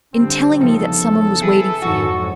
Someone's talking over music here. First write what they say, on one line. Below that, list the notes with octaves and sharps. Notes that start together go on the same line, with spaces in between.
"In telling me that some one was waiting for you."
D3 G3 C4
E2 C#3 F3 D#4 A4
E4 G#4 B4
F2 G#2 F#3 F#4